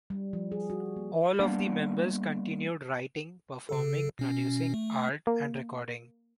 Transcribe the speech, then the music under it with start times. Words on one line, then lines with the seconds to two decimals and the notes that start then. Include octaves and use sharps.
All of the members continued writing, performing, producing art and recording.
0.10 G3
0.33 F3
0.52 G#4
0.70 F#4
0.97 A#3
1.40 G3 A#3 B3 D4
3.69 C#3 A4
4.19 B2 C#4
4.74 A3
5.27 A#3